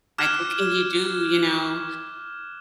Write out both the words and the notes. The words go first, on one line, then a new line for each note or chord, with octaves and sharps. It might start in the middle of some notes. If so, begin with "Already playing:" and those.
Like, what can you do?" You know,
D6 F6 F#6 G#6 E7